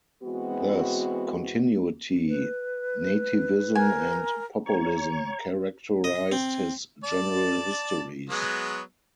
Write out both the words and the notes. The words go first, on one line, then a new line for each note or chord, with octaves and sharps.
Thus continuity, nativism, and populism characterized his general histories.
E3 G#3 B3 C4 F#4
B4
A#4 G#5
C#5 A#5
D#5
C4
D5 A5
F#3 G#3 B3